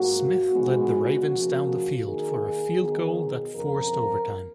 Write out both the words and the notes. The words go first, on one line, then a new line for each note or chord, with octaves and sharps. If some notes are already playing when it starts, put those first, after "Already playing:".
Smith led the Ravens down the field for a field goal that forced overtime.
Already playing: G#2 F#3 A#3 F#4
A#2 F3 G#3 B3 D#4
C#3 F3 A#3
D#3 A#3 D#4 G#4
D#3 F#3 B3 D#4
F2 C#3 F3 A#4